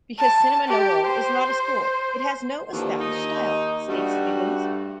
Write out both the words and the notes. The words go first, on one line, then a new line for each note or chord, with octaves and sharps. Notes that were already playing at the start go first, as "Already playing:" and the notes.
"Because Cinema Novo is not a school, it has no established style," states Diegues.
A5
G4
C5
D#2 D3 E3 F3
D#4
G2 G3 A3 F#4